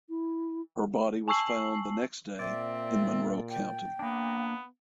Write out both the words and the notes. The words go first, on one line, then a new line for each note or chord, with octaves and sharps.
Her body was found the next day in Monroe County.
E4
G#5 A5 C#6 E6 C7 F#7
A#2 C4 D5 E5
G5
A#3 B3 D4